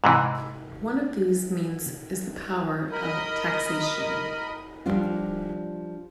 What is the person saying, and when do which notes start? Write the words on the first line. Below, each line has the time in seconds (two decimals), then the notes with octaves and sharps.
One of these means is the power of taxation.
0.04 G#2 C3 E3
2.92 A#4 D#5 B5
4.86 F3 G3 D4 F4